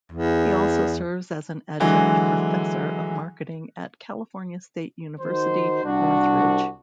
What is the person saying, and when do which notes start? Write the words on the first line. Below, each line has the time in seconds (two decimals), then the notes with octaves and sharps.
He also serves as an adjunct professor of marketing at California State University, Northridge.
0.12 E2
1.80 D3 E3 F#3 G#3
5.21 D#3 D#4 F#4 C5
5.84 C2 D4 F#4